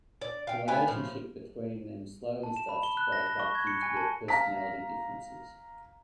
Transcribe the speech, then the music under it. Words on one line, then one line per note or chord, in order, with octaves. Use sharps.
The relationship between them slowly starts to break up due to their personality differences.
D5
F5 G5
A3 B3 G5 G#5
A2 F3
A5
E7
B5
G7
F#6
A#6
A#6
C#6
G#6
C#7
G#5
A5
F5 A#5 B6